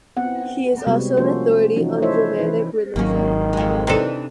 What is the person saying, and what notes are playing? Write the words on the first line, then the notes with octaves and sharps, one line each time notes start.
He is also an authority on Germanic religion.
B3 C4 F#5
C3 G3 G#3 B3 C4 F#4
F3 A#3 C#4 F#4 A4 C5
E3 F3 C#4 D#4 F#4
E4 A4 C5 C#5 D#5 E5
E3 E4 B4
G#1 D#3 F#3 A#3 C#4
F2 G#3
C3 E3 D4 D#4 A4